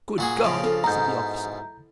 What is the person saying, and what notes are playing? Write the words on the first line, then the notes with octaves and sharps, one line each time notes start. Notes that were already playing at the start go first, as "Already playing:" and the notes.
"Good God!" said the officer.
A#2 F#4 G#4
C#3 F3 G5
D4 F4 A4
G#2 B2 E4 A#5 G6